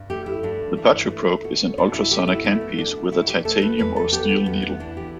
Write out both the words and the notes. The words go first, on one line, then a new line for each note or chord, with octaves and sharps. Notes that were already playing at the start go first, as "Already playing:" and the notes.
The phaco probe is an ultrasonic handpiece with a titanium or steel needle.
Already playing: G2
A3 G4
E4
G2 D4
E3
A3
B2
B2 D4
E4
A3 G4
E4
A3 E4
B3
B2 D4
B2 E4
G4
A3 A4
B4
E2 B4
A4
B3 G4
B3
E2 B3
B3
E3 D4
G4